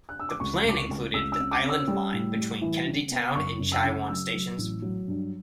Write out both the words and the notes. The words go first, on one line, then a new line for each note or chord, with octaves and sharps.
The plan included the Island Line between Kennedy Town and Chai Wan stations.
F#6
E6
D6
C#2 C#6
C#2 D6
C#6
C#2
C#2 E6
E6
C#4
D6
C#4
E6
G3
A2
G3
E3
C#3
B3
F#1 C#6
F#2
E6
C#3
F#3 E6
F#3
A1
F#3
G2